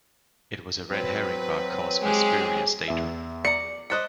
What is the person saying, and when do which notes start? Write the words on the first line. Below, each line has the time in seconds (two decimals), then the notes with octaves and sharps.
It was a red herring bug caused by spurious data.
0.90 F#3 C4 B4
2.02 G#3 G4 G#4
2.88 E2 E5
3.45 D5 A#5 C#7
3.90 G4 C5 D#5 F#6 A6 C#7